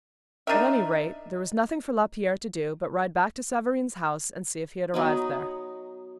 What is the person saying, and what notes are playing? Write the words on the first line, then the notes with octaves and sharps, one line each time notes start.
At any rate, there was nothing for Lapierre to do but ride back to Savareen's house and see if he had arrived there.
D4 D#4 A#4 E5
F#3 B3 D#4